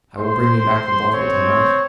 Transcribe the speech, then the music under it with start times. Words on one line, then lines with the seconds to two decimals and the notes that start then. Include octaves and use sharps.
"I will bring you back the bottle to-night."
0.18 C5 C6
1.11 C4 C5 C#5